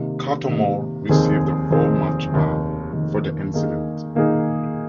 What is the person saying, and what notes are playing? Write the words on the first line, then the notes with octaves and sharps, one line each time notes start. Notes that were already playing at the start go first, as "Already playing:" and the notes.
Cattermole received a four-match ban for the incident.
Already playing: C3 D#3 A#3
C3 D#3 A#3
F1 D#2 D#3 C4 G#4
F1 D#2 D#3 C4 G#4
F1 D#2 D#3
F1 D#2 D#3
D#3 A#3 D#4 G#4
D#3 A#3 D#4 G#4